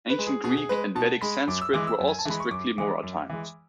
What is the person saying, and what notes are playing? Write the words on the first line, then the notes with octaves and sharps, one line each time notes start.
Ancient Greek and Vedic Sanskrit were also strictly mora-timed.
B4
G#3
G#4
B2 G#4
G#4
G#3 B4
B2 A5
G#3 B5
F#2 D6
E6
E3 G#3 D6
E6
F#2
G#5
A5
E3 G#3 B5
C#6
F#2 D6
E3 G#3 D6
F#2
E3 G#3